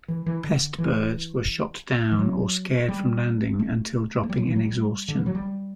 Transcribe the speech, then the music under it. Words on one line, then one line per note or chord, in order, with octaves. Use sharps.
Pest birds were shot down or scared from landing until dropping in exhaustion.
E3
E3
D3
E3
E3
F#3
G3
A3
A3
G3
F#3
E3
F#3
G3
D3
E3
F#3
G3